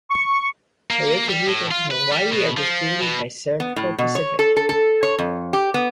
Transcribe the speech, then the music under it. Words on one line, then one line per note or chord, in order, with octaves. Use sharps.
Toyota vehicles in Hawaii are distributed by Servco Pacific.
C#6
A#3
G3
A2
F4
B4
G3
B2
F3
B2
B3
A2
B2
C#5
A4
A4
A4
C#5
F2
G4
B3